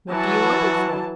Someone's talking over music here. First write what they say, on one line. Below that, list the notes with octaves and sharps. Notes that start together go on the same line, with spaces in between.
What do you want it for?'
E3 F#3 F#4 A5